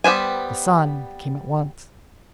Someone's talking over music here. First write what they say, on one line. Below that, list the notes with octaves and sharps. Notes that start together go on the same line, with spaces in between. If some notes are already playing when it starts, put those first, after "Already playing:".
The sun came at once.
G3 B3 C5 G#5